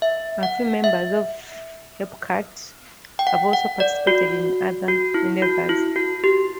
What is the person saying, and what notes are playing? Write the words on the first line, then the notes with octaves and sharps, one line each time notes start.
A few members of Hepcat have also participated in other endeavors.
E5
F#5
E5
G5
F#5
F#5
D5
F#4
F#4
E4
F#4
E4
F#4
G4